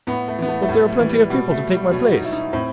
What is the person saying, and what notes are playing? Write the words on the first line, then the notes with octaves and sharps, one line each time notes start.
But there are plenty of people to take my place.
A2 B3
A3
E3 B3
A3
A3
A2 G3
A3
G3
E3
G3
B2 G3
A3
G3
B2 F#3
D#4
E4
D#4
A2 C4